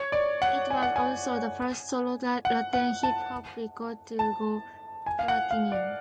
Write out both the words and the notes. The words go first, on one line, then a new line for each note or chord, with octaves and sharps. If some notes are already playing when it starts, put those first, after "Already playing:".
It was also the first solo Latin hip hop record to go Platinum.
Already playing: C#5
D5
F#5
G#5
F#5
G#5
F#5
F#5
A5
A5
G#5
F5
F#5
F5
D5